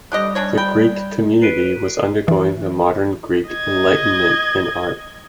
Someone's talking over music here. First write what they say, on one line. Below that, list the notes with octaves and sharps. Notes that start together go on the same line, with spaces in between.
The Greek community was undergoing the Modern Greek Enlightenment in art.
D3 G3 G4 D#5 F#6
C#4 D4 C#5
G5 B5
B4 C7 D7 D#7
E3
D#5 G#6